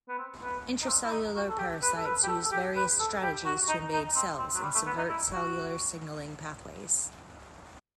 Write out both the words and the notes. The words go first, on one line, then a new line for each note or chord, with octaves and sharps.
Intracellular parasites use various strategies to invade cells and subvert cellular signalling pathways.
B3
C4
B3
D#4
C4
E4
D#4
F#4
A4
G4
B4
A4
B4
G4
A4
A4
G4
B4
A4
G4
F#4
D#4
D#4
C4
C4
F#3
G3
A3
B3
D#4
E4
F#4